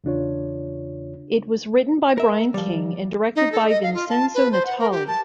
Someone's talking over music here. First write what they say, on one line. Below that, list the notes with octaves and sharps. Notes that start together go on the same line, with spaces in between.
It was written by Brian King and directed by Vincenzo Natali.
E2 C#3 D4 F4 C#5
A#4 E5
F3 G3
D#4
A4
D#5
F5
F4
A5
B4
C5
F#5
A#4
G4
A5